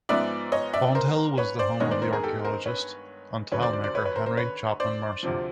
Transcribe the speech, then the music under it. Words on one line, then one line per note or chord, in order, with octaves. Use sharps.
Fonthill was the home of the archeologist and tile maker Henry Chapman Mercer.
G#2 F3 G#3 B3 D5 E5
C#5 D#5
D5 E5
A#4 C5
B4 C#5
C5 D5
G2 D#3 G#3 B3 C#5 D#5
C5 D5
A#4 C5
G#4 A#4
G4 A4
A#4 C5
B4 C#5
D#2 D3 F#3 B4 C#5
C5 D5
C5 D5
C5 D5
B4 C#5
B4 C#5
A#4 C5
A#4 C5
B4 C#5
C5 D5
D2 C3 F3